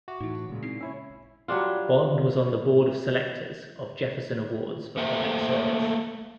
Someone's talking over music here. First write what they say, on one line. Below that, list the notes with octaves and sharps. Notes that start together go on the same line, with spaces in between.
Bond was on the Board of Selectors of Jefferson Awards for Public Service.
F#4 E5 F#5 D6
A2 E3 D#4 E4
F#5 C#6
A#2 C#3 G#3
C4 D#4 E4 C7
C#4 E4 C#5 E6
F#3 G3 D4 F4
A3 A#3 C5 E5 G5